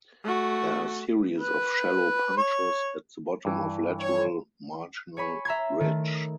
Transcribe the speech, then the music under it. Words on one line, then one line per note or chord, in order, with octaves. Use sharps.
There are series of shallow punctures at the bottom of lateral marginal ridge.
A3 F#4
B4
C#5
G2 E3
C#5
C#5 G#5 B5 C#6
E5 A#5 C6 G#6
D#3 A3